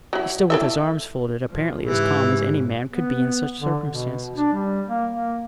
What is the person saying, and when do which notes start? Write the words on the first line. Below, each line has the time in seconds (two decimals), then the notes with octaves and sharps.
He stood with his arms folded, apparently as calm as any man could be in such circumstances.
0.13 F#3 E4
0.50 E4 A4 E5
1.49 A#2 F3
1.83 G#2 C#3 E3 G4
2.92 B3
3.60 D3
3.87 B2
4.36 D4
4.53 G3
4.87 A#3
5.12 A#3